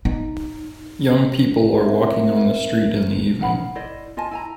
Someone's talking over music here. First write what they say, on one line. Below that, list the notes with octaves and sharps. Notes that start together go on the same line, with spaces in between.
Young people are walking on the street in the evening.
D#4
C4 A#4 E5
D#4 F5 F#5 B5
E4 C5 D5 D#5
F4 D#5 G#5 A5
E4 G#5 A#5